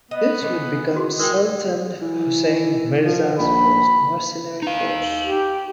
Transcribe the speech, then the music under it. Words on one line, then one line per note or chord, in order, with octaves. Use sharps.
This would become Sultan Husayn Mirza's first mercenary force.
B3 D#5
E3 G#3
F#4 G#4 C6
G#3 A#4 G5
E3
F3
A#1 B5
D#4 F5
G4